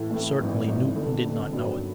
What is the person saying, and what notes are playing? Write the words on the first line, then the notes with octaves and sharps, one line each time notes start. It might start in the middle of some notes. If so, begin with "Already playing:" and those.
Certainly Newton did not know it.
Already playing: A2 E3 A3
A2 E3 A3
G#1 G#2 E3
G#1 G#2 E3
F1 F2 D3
F1 F2 D3
G2 D#3 F#3 B3 D4